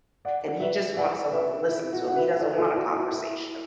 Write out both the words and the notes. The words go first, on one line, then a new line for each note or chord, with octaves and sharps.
and he just wants someone to listen to him, he doesn't want a conversation.
D5 F#5
B4 E5
D5 F#5
B4 E5
E4
F#4
F#5
B4 E5
A4 D5
E4 A4
F#4
E4
E4